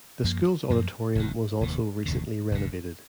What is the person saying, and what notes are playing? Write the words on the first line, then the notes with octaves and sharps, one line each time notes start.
The school's auditorium was also recently renovated.
F#2 F3 A#3
F#2 F3 A#3
F1 D#2 D#3
F1 D#2 D#3
F1 D#2 D3
F1 D#2 D3